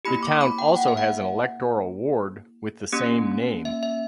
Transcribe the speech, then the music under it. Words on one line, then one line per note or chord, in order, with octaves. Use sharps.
The town also has an electoral ward with the same name.
A#3 E4 G4 B5
D6
B5
G5
F#5
E5
F#5
A#3 C#4 G4
E5
E5